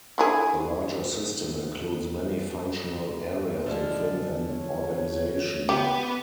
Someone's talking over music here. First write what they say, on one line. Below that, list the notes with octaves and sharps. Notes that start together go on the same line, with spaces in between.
The larger system includes many functional areas within an organization.
D3 E4 G#4
D3 F3 G#3 D5
C#5
B3 G4